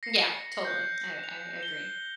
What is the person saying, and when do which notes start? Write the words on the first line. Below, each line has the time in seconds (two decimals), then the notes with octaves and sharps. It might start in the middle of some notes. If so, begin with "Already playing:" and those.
Yeah, totally. I I agree.
0.03 A#6 C7 C#7
0.65 F#6 G6
1.24 F7
1.63 G7